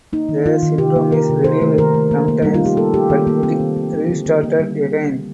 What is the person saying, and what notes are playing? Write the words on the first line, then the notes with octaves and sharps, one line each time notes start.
The syndrome is relieved sometimes but it restarted again.
A#3 D#4
D#3
D#3 F4
D#3
C3 G4
A#3
A#3 A#4
C3
D#3 C5
A3
D#3 A#4
A3
A#3
A#3
G3 D#4
F4
D#3 G4
A#3 A4
A#3 G4
D#3 A#3
A#3
A#3 C4
D#3
D#3
A#3
D3
A#3
A#3
G3